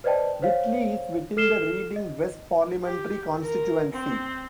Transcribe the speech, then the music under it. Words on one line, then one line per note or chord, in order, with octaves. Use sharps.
Whitley is within the Reading West parliamentary constituency.
B4 C5 D5 D#5 G5 A5
C5 C#5 F5
A4 F6 C7 E7 G7
D#5
G4
A#4
C4